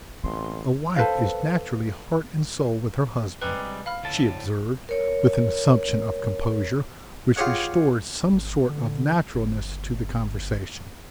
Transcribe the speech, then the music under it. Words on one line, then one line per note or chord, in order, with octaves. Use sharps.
"A wife is naturally heart and soul with her husband," she observed, with an assumption of composure which restored some sort of naturalness to the conversation.
A1 C4 C6
A4 B4 C5 F5
C3 G3 G#3 B4 F#6
F5 B5 F6
D2 A2 A5
A#4 C#5
F4 G4 G#4 C#5 F#5
G#1
D3
G1